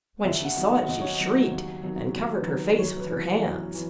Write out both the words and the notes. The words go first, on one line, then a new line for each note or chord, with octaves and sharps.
When she saw it she shrieked, and covered her face with her hands.
D#2 E5
F#5
D#3 F#3
F#5
D#2 D#5
C#5
D#5
D#3 F#3
D#2
D#3 F#3
D#2
B4
D#3 F#3
B4
F#2 C#5
B4
E3
B4
F#2
E3